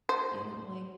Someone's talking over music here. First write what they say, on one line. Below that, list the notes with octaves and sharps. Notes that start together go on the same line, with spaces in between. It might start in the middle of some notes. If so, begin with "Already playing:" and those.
you know, like,
C5